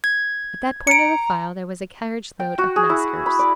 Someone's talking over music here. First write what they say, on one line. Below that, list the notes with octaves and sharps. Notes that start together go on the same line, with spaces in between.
At that point of the file there was a carriage-load of maskers.
G#6
A#5 C#7 D7
G5
F#4
G#4
E4
B5
D5